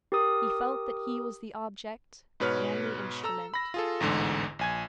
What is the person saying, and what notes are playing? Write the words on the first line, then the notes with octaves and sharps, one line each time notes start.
He felt that he was the object and the instrument.
G4 A#4 D#6
G#2 B2 B4 C#5 F6
A4 A#5 E6
B5 A#6
F4 G#4 A4
A1 E2 G#2 D3
A#1 G#5 G#6